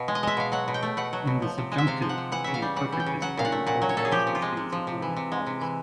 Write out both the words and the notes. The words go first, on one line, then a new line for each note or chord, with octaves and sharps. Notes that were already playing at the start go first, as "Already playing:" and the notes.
In the subjunctive, the imperfect is quite important, especially in subordinate clauses.
Already playing: B2 F5
G#3
D#5
G#3 E5
B2 F5
F#3 F#5
B2
G5
A3
B2 F#5
F#3
B2
F3
C3
G#3
E5
C3 F5
F3
F#5
C3
E3 F#5
C#3 E5
F5
G3
C#3 F#5
E3
G5
C#3
F#3 F#5
A#2 F5
F#5
A3
A#2 F#5
F#3
C#5
A#2 A4
G#4
F3 G4
C3
F4
G#3
C3
F3
C3
E3
C3
G#3
C3
E3